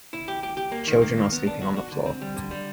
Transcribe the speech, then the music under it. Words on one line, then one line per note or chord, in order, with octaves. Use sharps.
Children are sleeping on the floor.
E4
G4
G4
G4
A#3
D#3
A#3
D#3
B3
D4
F#4
F#4
D3
C4
G3
D3
G3